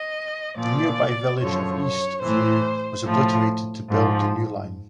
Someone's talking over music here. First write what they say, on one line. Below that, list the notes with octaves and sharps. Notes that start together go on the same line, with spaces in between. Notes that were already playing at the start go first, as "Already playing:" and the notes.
The nearby village of East View was obliterated to build the new line.
Already playing: D#5
A#2 F3 D5
F#2 D3 F3 C#5
C#5
A2 E3 C5
A2 F3
G#2 F3